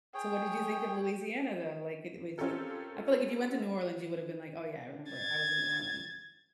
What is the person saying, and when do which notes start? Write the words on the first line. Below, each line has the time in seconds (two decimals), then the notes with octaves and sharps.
So what did you think of Louisiana though, like it was jus I feel like if you went to New Orleans, you would’ve been like, "Oh yeah, I remember I was in New Orleans."
0.14 G#4 C#5 G5
2.38 C4 C#4 F4 G4 A4 A#4
5.11 G#6 A6